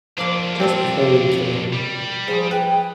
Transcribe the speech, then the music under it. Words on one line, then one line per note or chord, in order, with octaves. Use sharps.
Just before you came.
F2 F3 A#3 D4 F5
C4 F4 A4
G3
F3 G#4
B4 G5